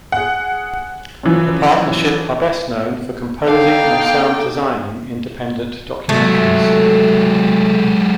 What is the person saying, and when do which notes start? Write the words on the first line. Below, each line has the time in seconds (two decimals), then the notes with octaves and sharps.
The partnership are best known for composing and sound designing independent documentaries.
0.12 G#4 F#5
1.23 F#2 E3 F3
3.48 D3 B3 D4 D#4 A4 F5 G5 A5
6.09 C3 F#3 G#3 A3